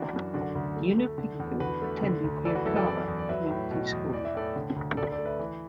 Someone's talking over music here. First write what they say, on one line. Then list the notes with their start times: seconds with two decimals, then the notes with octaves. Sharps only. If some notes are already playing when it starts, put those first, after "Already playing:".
Yunupingu attended Yirrkala Community School.
Already playing: E3 D4 F#4
0.13 F#2
0.34 D3 D4 F#4
0.55 D2
0.76 A3
0.98 A3
1.18 D3
1.40 E2
1.60 D3 F#4 B4
1.82 A3
2.03 D3
2.24 D2
2.45 E3 A4 D5
2.55 F#4 B4
2.65 F#2 E4 A4
2.76 A4 D5
2.87 E3 A4 D5
3.08 E2
3.19 D5
3.29 F#3 B4 E5
3.51 A2
3.71 B2
3.92 E2
4.13 E3 D5
4.25 E5
4.34 A2 A4 D5
4.56 D3
4.76 D2
4.97 D3 A4 D5
5.12 A4 D5
5.19 A3
5.25 B4 E5
5.39 E3